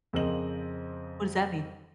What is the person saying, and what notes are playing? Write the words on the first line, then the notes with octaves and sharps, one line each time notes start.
What does that mean?
F2 C#3 C4 A#4 D#5 F#7